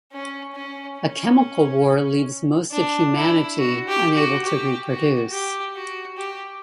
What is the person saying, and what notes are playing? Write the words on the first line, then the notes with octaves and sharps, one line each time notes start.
A chemical war leaves most of humanity unable to reproduce.
C#4
C#4
C#4
D4
E4
F#4
G4
F#4
G4
F#4
G4
F#4
G4